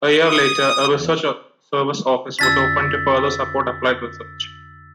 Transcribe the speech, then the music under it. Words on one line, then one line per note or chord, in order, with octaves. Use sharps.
A year later, a Research Services Office was opened to further support applied research.
D#6
E2
F2 D3 C#4 E6 A6 B6